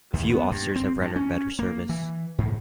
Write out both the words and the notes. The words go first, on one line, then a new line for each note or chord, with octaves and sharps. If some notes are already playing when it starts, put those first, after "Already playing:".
Few officers have rendered better service.
D#2
B3
G2
C4
G2
C#4
A#3
E3
G#2